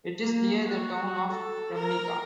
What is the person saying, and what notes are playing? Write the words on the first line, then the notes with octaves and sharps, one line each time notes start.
It is near the town of Kremnica.
A#3
F#4
A4
A#4